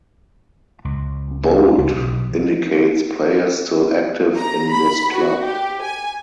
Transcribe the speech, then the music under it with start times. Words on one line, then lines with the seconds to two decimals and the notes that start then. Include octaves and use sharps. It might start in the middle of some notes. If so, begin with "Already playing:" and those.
Bold indicates players still active in this club.
0.85 C#2
1.78 C#2
1.96 B1
2.31 F3
4.36 A#5
4.70 B5
5.13 F#4
5.43 G4
5.82 G#5